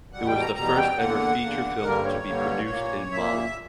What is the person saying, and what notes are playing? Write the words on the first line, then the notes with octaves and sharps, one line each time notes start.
It was the first ever feature film to be produced in Mali.
E2 B2 G3 F#5
G5
A#5
E2 B2 G3 A#5
G5
E2 D3 A#3 F#5
E2 D3 A#3
G2 D3 G3 A#3 A#4
C#5
G2 D3 G3 A#3
A#2 A#3
A#2 A#3 E5